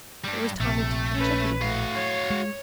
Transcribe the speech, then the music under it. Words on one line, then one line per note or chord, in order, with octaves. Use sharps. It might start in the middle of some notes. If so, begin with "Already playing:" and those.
It was Tommy Tit the Chickadee.
G2 G3
A#1 C3 A3
C#4 B4
A2 F#4 F5
C#5
G#3